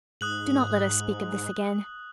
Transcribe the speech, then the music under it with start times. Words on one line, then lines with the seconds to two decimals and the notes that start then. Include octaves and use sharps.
Do not let us speak of this again.
0.21 G#2 D#6 F#6 F#7